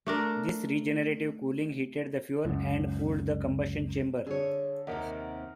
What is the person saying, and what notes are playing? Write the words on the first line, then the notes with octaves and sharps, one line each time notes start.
This regenerative cooling heated the fuel and cooled the combustion chamber.
A3 D4 A#4
C#2 F#2
D3 G#4 C#5
D#2 C3 D#3 A#4 D#5 F#5